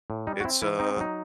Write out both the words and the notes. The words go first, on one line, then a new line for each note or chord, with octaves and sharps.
it's a
A2
G3 D#4
F#4
C4 E4
E3 E4
C4 D#4
F#3 D#4